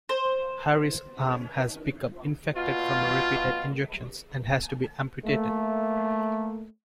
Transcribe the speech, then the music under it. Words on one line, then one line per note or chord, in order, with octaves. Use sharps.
Harry's arm has become infected from repeated injections, and has to be amputated.
C5
B2 F4
A3 A#3